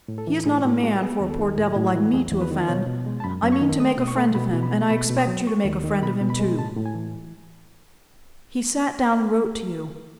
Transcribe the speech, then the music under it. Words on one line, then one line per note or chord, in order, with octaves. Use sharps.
He is not a man for a poor devil like me to offend; I mean to make a friend of him, and I expect you to make a friend of him too.' He sat down and wrote to you.
A2
A4
E3
A2 G#4
A2 F#4
G#3 F#4
B3 G#4
D#2
A4
D#3
A2
A2
E3
E2 G#4
E2
B4
D#3
B2 C#5
B2
G#3
A5
F#2 B5
F#2
C#6
D#3
A3 D#6
B2 D#6
C#6
A3
B2 B5
B2
B5
G#3
B2 B5
B2
D#6
F#3
A3 C#6
D#2
D#3
B2 B5
B2
B5
G#3
A2 A5
A2
G#5
E3